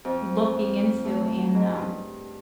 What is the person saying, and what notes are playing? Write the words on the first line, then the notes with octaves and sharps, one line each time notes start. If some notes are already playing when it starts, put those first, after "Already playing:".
looking into and, um
F2
A3
G#2
G2